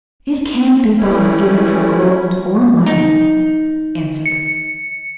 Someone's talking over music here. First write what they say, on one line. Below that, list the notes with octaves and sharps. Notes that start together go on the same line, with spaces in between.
"It can't be bought either for gold or money," answered the girl.
E3 G3 A3 C#4 E4
D#4
C#7